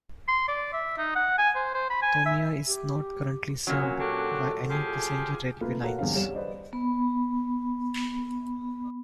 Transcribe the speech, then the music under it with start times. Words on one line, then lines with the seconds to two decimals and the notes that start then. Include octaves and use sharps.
Tomiya is not currently served by any passenger railway lines.
0.28 C6
0.48 D5
0.73 E5
0.98 D#4
1.15 F#5
1.38 G#5
1.55 C5
1.74 C5
1.90 B5
2.02 G#5
2.26 E5
2.67 G4
3.67 A#2 F#3 C#4
3.99 D4 F#4 G4 A4
4.70 F3 G4 G#4
5.61 A3 A#3 F4 B4
5.82 F#4 A4 A#4 C#5 F5 F#5
5.99 E2 G2 D3 C4 F5
6.14 C2 G3 C#5 E7
6.33 B4 C5 D5 D#5
6.73 B3 B5